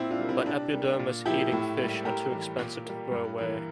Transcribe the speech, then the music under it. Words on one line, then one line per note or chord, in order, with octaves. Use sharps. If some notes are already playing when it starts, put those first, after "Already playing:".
But epidermis-eating fish are too expensive to throw away.
Already playing: A#2 C4 E4
D4 F4
G3 A#3
C4 E4
C3 D4
G3 A#3
A#2
F3 A#3 E4 G4
A2
G3 A#3
A2 G4 A#4
E3 G3
A#2
G3 A#3
G2
E3 A#3